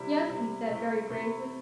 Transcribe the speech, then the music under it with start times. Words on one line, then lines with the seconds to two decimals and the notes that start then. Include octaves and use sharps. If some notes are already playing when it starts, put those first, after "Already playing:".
"Yes," he said, very gravely.
Already playing: C3 G3 E4
0.29 C3 G3 E4
0.69 C3 A3 E4
1.09 C3 A3 E4